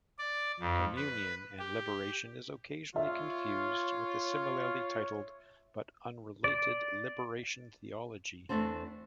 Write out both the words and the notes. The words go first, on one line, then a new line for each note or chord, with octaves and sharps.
Communion and Liberation is occasionally confused with the similarly titled, but unrelated liberation theology.
D5
F2
B4
G4
F4 C#5 E5
D5
E2 D3 A3 C4 D4 C5